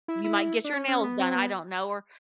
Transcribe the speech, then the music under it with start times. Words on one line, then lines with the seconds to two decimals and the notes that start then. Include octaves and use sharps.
you might get your nails done, I don't know, or
0.08 E4
0.24 E4
0.64 D4
0.73 C#4
0.88 C#4
1.04 B3
1.19 C4
1.35 B3